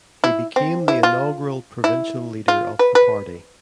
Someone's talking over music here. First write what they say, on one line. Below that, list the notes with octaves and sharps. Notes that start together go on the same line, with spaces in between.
He became the inaugural provincial leader of the party.
E4
C4
E4
F4
E4
F4
B4
B4